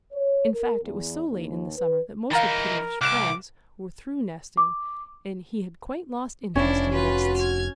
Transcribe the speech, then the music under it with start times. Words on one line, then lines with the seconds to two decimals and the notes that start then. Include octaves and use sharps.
In fact, it was so late in the summer that most of Peter's friends were through nesting and he had quite lost interest in nests.
0.12 C#5
0.51 A#4
0.82 E2
1.29 D#2
1.76 B4
2.31 E3 D#4 A#4 F5 A#5 A6
3.01 C2 D6 F6 F#6 E7
4.57 D6
6.55 F1 C#4 D4 E4
6.92 F4 F#4 B4
7.37 F6 G#6